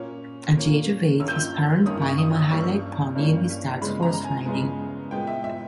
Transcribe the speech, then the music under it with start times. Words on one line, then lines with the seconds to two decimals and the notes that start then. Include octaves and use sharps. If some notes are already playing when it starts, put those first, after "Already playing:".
At the age of eight, his parents buy him a Highland pony and he starts horse riding.
Already playing: A#2 A#3 C#4
0.55 A#2 A#3 C#4
1.20 G2 D#3 A#3 C#4 E6
1.28 G6
1.35 E6
1.86 G2 D#3 A#3 C#4 D#6
2.02 C#6
2.18 D#6
2.35 E6
2.50 G2 E3 G3 A#3 C#4 C#6
3.15 G2 E3 G3 A#3 C#4
3.81 C#3 G#3 B3 B5
4.02 A#5
4.14 A#5
4.24 G#5
4.46 C#3 G#3 B3
5.11 A#2 G#3 B3 G5
5.27 E5
5.44 E5